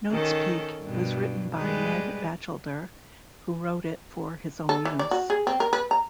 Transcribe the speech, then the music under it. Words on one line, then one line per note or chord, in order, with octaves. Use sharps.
NotesPeek was written by Ned Batchelder, who wrote it for his own use.
D#3 C#4 A4
G2 B2
G3 G#3 B4
A4
E3
D5
F#4
G#4
C4
A#4
B4
A#5